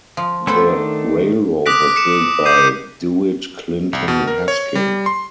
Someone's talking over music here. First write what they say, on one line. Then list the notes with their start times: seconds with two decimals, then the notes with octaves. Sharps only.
The railroad was built by Dewitt Clinton Haskin.
0.17 F3
0.47 A3 B3 C#4 A4 C5 F#5
0.66 D#3 A3 D4
1.66 D6 D#6 F#6 A#6 B6 D7
1.96 C#7 E7
2.45 D6 D#6 G6 C7 D#7
3.93 C2
4.08 B2
4.27 A#4
4.48 C#5
4.75 G3
5.06 C6